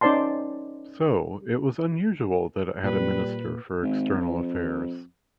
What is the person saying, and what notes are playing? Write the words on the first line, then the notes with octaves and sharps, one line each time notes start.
So, it was unusual that it had a Minister for External Affairs.
C#4 D#4 C5 D5 A5 C6
A#2 G3 B4
G#1
F2